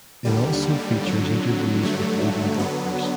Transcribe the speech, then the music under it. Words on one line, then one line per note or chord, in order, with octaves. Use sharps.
It also features interviews with leading golfers.
D#2 D3 G3
F2 D3 F#3
G2 D3 F#3 A3
D3 F#3 B3